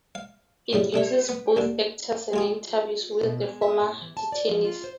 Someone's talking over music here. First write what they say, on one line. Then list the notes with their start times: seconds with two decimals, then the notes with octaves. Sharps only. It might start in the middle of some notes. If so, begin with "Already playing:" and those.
It uses both actors and interviews with the former detainees.
0.15 F5
0.73 A2 C#3 G3
0.94 C3 D4 E5
1.29 B3
1.57 D#2 D3
2.33 G#3 F4 G#4
3.23 B2
3.42 G#3
3.62 E5
3.82 A2
4.01 E3
4.17 A5
4.32 D5
4.49 F3
4.65 F4
4.84 C5